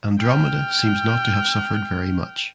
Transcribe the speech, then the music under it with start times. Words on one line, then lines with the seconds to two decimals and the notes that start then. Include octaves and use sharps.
Andromeda seems not to have suffered very much.
0.19 G5 F6